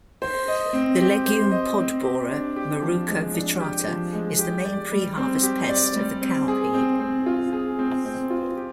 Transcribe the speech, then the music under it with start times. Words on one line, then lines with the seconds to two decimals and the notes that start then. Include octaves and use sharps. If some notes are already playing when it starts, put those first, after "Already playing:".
The legume pod borer, "Maruca vitrata," is the main pre-harvest pest of the cowpea.
0.22 C5
0.48 D#5
0.73 C4
1.00 G4
1.26 C5
1.51 D#5
1.78 C4
2.04 G4
2.30 D4
2.56 G4
2.82 F3
3.08 G#3
3.34 D4
3.60 G4
3.87 F3
4.13 G#3
4.39 G4
4.65 D5
4.92 G3
5.18 C4
5.43 G4
5.69 D5
5.96 G3
6.21 C4
6.48 G#4
6.74 C4
7.00 C4
7.26 F4
7.53 G#4
7.79 C4
8.05 C4
8.30 F4
8.57 G4